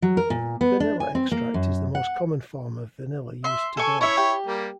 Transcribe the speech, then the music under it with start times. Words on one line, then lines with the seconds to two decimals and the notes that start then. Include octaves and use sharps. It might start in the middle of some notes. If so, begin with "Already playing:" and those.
Vanilla extract is the most common form of vanilla used today.
0.02 F#3
0.17 A#4
0.30 A#2
0.61 B3
0.80 D4
1.00 G#5
1.15 C4
1.32 A#3
1.54 F#2
1.95 F#5
3.44 E5 C6
3.77 A4 G#5 C#6
4.01 C#4 E4 C#5 E5
4.17 G4
4.47 G3 A#3